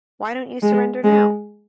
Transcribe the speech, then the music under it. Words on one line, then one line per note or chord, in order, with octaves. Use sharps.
Why don't you surrender now?
G#3
G#3